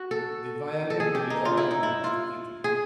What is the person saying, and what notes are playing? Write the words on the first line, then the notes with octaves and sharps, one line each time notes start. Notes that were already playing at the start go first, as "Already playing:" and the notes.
The violin belongs to Italy.
Already playing: F#4
A4
A4
G#4
G4
D#4
F4
E4
D#4
E4
F4
G#4